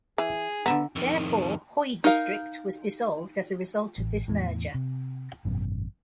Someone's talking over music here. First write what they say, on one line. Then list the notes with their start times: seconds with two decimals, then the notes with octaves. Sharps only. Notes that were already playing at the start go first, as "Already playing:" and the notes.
Therefore, Hoi District was dissolved as a result of this merger.
0.18 E3 G#4
0.66 D3 B3 E5 A#5
0.96 F2 D#3
2.04 D#4 A#4 F5
3.98 A1
4.28 E2 A2
4.74 C3
5.45 G#1 F#2 B2